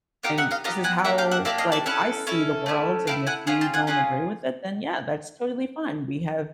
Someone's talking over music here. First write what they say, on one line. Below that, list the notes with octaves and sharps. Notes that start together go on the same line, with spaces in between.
and this is how, like, I see the world, and if you don't agree with it, then yeah, that's totally fine, we have
B3 D#4 G4 F5 G5
E5 F#5
D#5 F5
B3 D#4 G4 D#5 F5
F#5 G#5
A#3 D4 G4 E5 F#5
F5 G5
E5 F#5
A#3 D4 G4 D5 E5
D#5 F5
D5 E5
C#4 E4 A4 E5 F#5
C#4 E4 A4
A3 C#4 E4
A3 C#4 E4 F5 G5
F#5 G#5
C#4 F4 G#4 F#5 G#5
G5 A5
F#5 G#5
C#4 F4 G#4 F#5 G#5